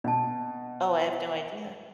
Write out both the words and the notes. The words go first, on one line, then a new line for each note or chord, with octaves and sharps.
Oh, I have no idea.
B2 D4 A5